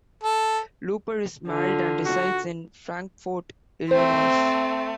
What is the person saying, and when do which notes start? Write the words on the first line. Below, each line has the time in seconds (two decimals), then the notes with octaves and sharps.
Looper is married and resides in Frankfort, Illinois.
0.23 A4
1.48 D3 F4
2.06 F#4
3.91 A3 C4 C5